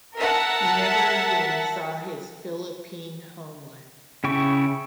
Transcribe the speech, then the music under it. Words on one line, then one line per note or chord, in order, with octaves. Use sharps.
He never again saw his Philippine homeland.
A#4 E5 F#5 A5
C#3 E4 G5 C#6